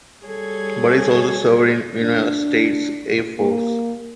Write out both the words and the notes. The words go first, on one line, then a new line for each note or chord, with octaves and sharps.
Burris also served in the United States Air Force.
G3 G#4 A4 C#5 G#6
D4
A#3